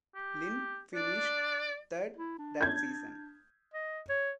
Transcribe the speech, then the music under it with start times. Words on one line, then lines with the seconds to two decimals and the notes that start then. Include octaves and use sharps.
Lyn finished third that season.
0.15 G4
0.95 D4 D5
2.16 E4
2.38 D4
2.61 G6 G#6
3.74 D#5
4.09 C#5